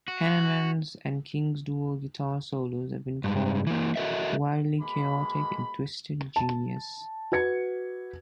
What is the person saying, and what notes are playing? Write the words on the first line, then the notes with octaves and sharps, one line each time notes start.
Hanneman's and King's dual guitar solos have been called "wildly chaotic," and "twisted genius".
F#4
G2 G#3
E3 A#3
F#4 A4 A#4 D#5 E5
B2 G#3 A#3 B5
A5
F#4 B4 G#6 C#7